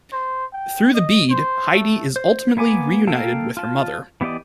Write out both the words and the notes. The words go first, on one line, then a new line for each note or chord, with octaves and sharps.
Through the bead, Heide is ultimately reunited her with her mother.
C5
G5
D#5
C5
A3
C5
A#3 B3 G#5 D6
A#3 A4 F5 G5 A5
F4 A5
E3 B3 G4 D5 D#5